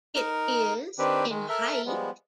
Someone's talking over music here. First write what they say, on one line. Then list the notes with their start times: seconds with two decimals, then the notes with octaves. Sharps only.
It is in height.
0.15 D#4 A#4
0.99 D#3 C4 D4 G4 B4
1.30 D#3 G#3
1.49 A4 A#4 E5
1.86 F3 G3 G#3 B3